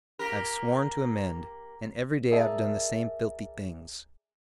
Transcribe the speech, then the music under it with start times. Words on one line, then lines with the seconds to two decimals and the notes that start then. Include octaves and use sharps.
I've sworn to amend, and every day I've done the same filthy things.
0.19 A#3 G4 A#4
2.31 G#4 A#4 D5 E5 G#5 A5